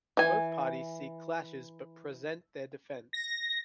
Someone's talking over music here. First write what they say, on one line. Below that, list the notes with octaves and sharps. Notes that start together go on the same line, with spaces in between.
Both parties seek clashes but present their defense.
E3 G#5
A#6